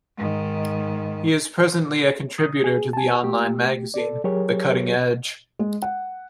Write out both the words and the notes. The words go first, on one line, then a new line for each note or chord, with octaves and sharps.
He is presently a contributor to the online magazine, The Cutting Edge.
G#2 D#3
D#6
G#4
G#5 A5
A3 G4
A4 D5
F#3 G4 G#4 A#4 C#5
G#3
F#5